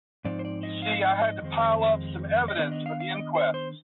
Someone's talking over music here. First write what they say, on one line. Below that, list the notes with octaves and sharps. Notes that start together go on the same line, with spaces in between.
You see I had to pile up some evidence for the inquest.
G#2 F3 C4 D#4 D5
C5
D5
D#5
F5
D#5
D#5
F2 D#3 G#3 C4
D#5
D#3 B3 D4 D5
D#5
F5
F5
D#5
C5
C5